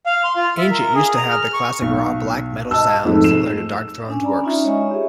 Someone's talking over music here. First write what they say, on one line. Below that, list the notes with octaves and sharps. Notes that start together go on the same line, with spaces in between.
Ancient used to have the classic raw black metal sound, similar to Darkthrone's works.
F5
C6
F4
E5
A#4
G#4
A#5
F6
C#6
B1
D#5 A5 E6
F2 G#2 G#3 A3
E7
C#4 D4 G#5
D5 G#5 A#5 B5
C#4 D#4 F4 E5
G#3 C#5 D#5 E5 G#5 C#6
G4 G#4